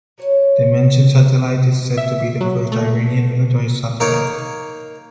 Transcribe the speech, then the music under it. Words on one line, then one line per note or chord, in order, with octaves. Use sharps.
The mentioned satellite is said to be the first Iranian military satellite.
F#3 F#4 C#5
E5
F#3
A3
A#3 D#4 A#4 C#5